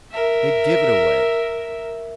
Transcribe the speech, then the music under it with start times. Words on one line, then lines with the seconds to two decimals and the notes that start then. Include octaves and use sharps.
They give it away.
0.12 A#4 E5